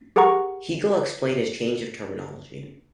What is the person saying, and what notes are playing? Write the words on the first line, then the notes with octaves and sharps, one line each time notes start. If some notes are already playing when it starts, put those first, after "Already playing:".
Hegel explained his change of terminology.
G4 G#4 A#4 F#5 A#5 C#6